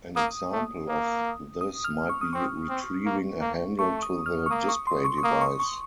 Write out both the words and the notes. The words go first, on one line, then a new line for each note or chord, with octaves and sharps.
An example of this might be retrieving a handle to the display device.
A#3 D#6
A3
A#3
D#6
F6
C#6
D#6
C4 C#6
C4
A#3
A#3
A3 C#6
D#6
F6
C#6
A#3 D#6
C#6
C6
C#6
C#6
A#3 D#6
C#6
C#6